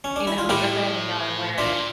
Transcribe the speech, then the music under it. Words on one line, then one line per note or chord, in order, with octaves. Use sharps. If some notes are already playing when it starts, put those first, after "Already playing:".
you know, depending on where it
C#4
D4
E4
F4
A2 E4 G4
A#2 D4 F4